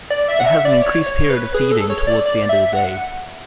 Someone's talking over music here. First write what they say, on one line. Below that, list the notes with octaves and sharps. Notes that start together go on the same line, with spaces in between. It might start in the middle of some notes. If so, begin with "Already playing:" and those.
It has an increased period of feeding towards the end of the day.
D5
E5
F#5
E5
D5
C#5
C#5
B4
G#4
A4
C#5
D5
D5
E5
F#5